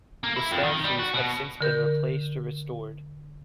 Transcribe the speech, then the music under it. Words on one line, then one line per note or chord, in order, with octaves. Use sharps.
The statues have since been replaced or restored.
A#3
E4
F2
D#3
G3
F#4
B2
D3 A#4 G6